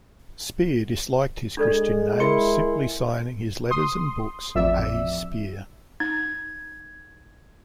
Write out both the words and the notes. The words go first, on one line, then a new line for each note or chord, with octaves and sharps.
Spir disliked his Christian name, simply signing his letters and books "A. Spir".
G#3 D4 A4 D5
E4 A#4 C6 C#7
C6 D#6
A1 F2 D5 E5 E6
D#4 G#6